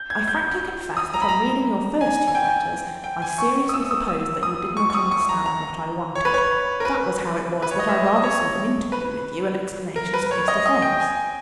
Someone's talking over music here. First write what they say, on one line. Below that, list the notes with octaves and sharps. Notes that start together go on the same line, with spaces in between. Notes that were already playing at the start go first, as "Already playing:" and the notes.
I frankly confess that on reading your first two letters I seriously supposed that you did not understand what I wanted; that was how it was that I rather sought an interview with you and explanations face to face.
Already playing: G6
G#6
G6
D#6
A#5
B5
A#5
G#5
G#5
G5
G5
G#5
C#6
D#6
E6
D#6
E6
D#6
C#6
C#6
D#6
C#6
A#5
A#5
C#5
B4
C#5
A#4
B4
B4
C#5
D#5
E5
D#5
D#5
C#5
B4
A#4
B4
C#5
D#5
D#5
G5
G#5